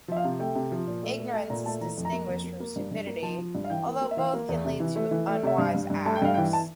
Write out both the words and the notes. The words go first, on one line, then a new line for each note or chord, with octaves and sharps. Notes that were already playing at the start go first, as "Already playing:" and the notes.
Ignorance is distinguished from stupidity, although both can lead to "unwise" acts.
F3 E5
F5
C3
A3 G5
C3
F3
A#2
A3
A3
A3 A5
A#2 A#5
A3 A5
E3 A#5
F2
A#5
A#3
F2
A#3
A#3
G2
G2
A#3
F3 A5
F3
G2
F5
E3 G5
A#3
A#3
E5
E3 F5
A#3
E2
C3
E3
A3
E3
A3
C3 E5
G2 F5
G2
G2
A3 A5
G5
G2 F5
G5
E3
A5